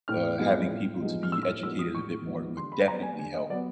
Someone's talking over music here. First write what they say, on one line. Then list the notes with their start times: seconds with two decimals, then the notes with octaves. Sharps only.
uh, having people to be educated a bit more would definitely help.
0.08 A2 F6
0.39 F3 G#3 B3 D#4
0.70 A2
1.01 F3 G#3 B3 D#4
1.23 F6
1.32 A2 E6
1.43 E6
1.48 F6
1.63 F3 G#3 B3 D#4 E6
1.79 D#6
1.95 A2 C#6
2.25 F3 G#3 B3 D#4
2.57 D3 C6
2.72 B5
2.88 F#3 B3 A#5
3.03 G#5
3.18 D3 G#5
3.34 D#5
3.50 F#3 D5
3.53 B3